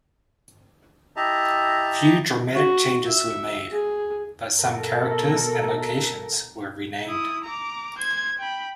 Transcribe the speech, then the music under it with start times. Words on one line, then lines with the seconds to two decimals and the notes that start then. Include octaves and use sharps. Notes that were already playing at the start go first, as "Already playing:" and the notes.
Few dramatic changes were made, but some characters and locations were renamed.
1.16 E4 G4 D#5 E5 A5 A#5
2.53 F#4
3.07 E5
3.72 G#4
4.59 B2 A4 A#4
7.07 E4 D#6
7.44 A#5 D6
7.98 C5 G#6
8.38 G5 B5